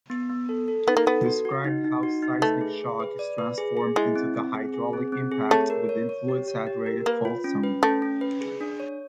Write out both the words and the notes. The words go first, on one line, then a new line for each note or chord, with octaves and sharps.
Described how seismic shock is transformed into the hydraulic impact within fluid-saturated fault zone.
B3
B3
A4
A4
B3 D#4
A#3
B3 A4
F#4
F#4
D#4
D#4
F#4
D#4
A3 B4
G#4
G#4
B4
D5
B4
G#4
G#4
G#3 E4
C4
C4
G#4
G#4
C4
C4
G#4
A3 C#5
A#4
C#5
C#5
G4
C#5
G4
A#4
A#3 B4
F4
C#4
B4
A3 C#4
C#4
B4
G#4
D4
C#5